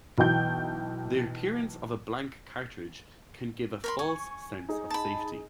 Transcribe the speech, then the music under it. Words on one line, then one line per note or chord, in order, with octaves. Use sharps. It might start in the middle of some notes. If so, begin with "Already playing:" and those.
The appearance of a blank cartridge can give a false sense of safety.
B1 E3 F#4 G5 G6
A#4 B5 C6
G#5 C#6
D#4 G#4
A5 B5